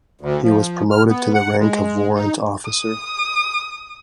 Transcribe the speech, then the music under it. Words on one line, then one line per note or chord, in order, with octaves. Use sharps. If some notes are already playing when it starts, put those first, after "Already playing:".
He was promoted to the rank of warrant officer.
D2
F3
F6
B3
F#5
G#3
D#4
D#6